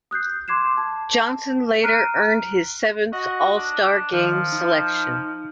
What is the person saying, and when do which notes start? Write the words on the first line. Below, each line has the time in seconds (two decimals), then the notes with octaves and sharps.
Johnson later earned his seventh All-Star game selection.
0.11 D#6 F#6 G6 C7
0.48 C6 D6 G#6 C7 E7
0.78 A5
1.84 A#5 F6 F#6 C7 D7 D#7
3.13 F#4 D#5
3.56 D4
4.13 D#3 F3
4.52 D#4